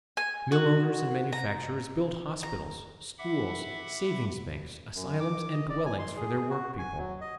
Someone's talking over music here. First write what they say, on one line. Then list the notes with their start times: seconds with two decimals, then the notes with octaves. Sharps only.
Millowners and manufacturers build hospitals, schools, savings banks, asylums, and dwellings for their workpeople.
0.17 G#5
0.52 F#4
1.33 A#5
2.43 A#5
3.18 E5 F#5 B5 D6
4.94 F#2
5.20 D6
5.53 D#5
5.70 D5
5.86 G#5
5.99 C6
6.17 G#4
6.50 F#4
6.79 G#5
6.99 F#3
7.21 D#5